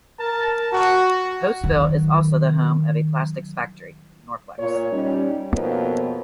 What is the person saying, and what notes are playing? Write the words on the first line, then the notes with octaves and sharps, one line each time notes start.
Postville is also the home of a plastics factory, Norplex.
A#4 A5
F#4
D#3 F#3
A#2 C#5
G3 C#4 D#4
F2 B2 A#3 B3 F4 C#5